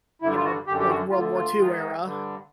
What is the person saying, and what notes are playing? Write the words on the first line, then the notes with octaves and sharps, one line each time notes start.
you know, like World War II era.
G2 D3 E4
F4
F#4
F#2 D3 G4
G4
F#4
D2 D3 F4
F4
G#2 D#3
G2 D3